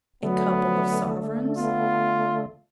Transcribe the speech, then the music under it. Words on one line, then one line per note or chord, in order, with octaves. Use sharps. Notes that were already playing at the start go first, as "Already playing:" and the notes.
'A couple of sovereigns.'
D3 F#3 A3 B3
B3 F4